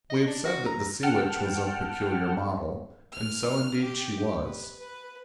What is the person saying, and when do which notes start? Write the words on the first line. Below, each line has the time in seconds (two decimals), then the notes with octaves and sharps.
We have said that the "Sea Witch" was of peculiar model, and so indeed she was.
0.10 D#5
0.27 D4
0.45 F#4
0.66 A#5
1.03 F#5 G5 A5 F6
3.12 F6
3.82 G4
4.42 B4
4.79 B4